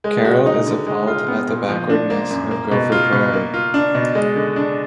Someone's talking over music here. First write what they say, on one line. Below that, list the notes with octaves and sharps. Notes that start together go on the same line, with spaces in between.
Carol is appalled at the backwardness of Gopher Prairie.
G#3
F#4
D#4
D3
G#3
F4
B3
A#2
F3
D4
A#3
F#2
A#3
B2
F4
B2
A#3
F4
D4
B2
G#3
D3
D4